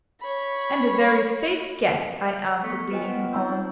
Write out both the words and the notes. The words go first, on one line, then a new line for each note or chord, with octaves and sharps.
'And a very safe guess,' I answered, leading him on.
C#5 B5
A3 B3 A4 C#6 B6 C#7
F4 B4 C5 D#5 G5 G#5
B3 F4 D#5 F#5
C4 D#4 C#5 A5 E6 G6
C5